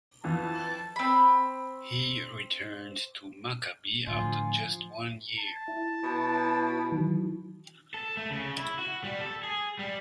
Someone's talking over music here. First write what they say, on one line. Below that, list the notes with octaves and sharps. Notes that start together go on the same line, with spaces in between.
He returned to Maccabi after just one year.
F2 E3 A5
C4 B5
A2 D3 F3 F4 G#5
A5
E4
B2
D#3 E3 F#3
A4
A3
C#3
E4
F#4
G3
A4
G#4
G3